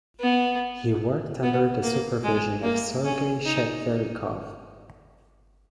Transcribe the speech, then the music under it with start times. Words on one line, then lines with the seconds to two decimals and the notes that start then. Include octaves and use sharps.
He worked under the supervision of Sergei Chetverikov.
0.20 B3
1.43 B3
1.83 A#3
2.24 G#3
2.64 A#3
3.05 C#4
3.45 D#4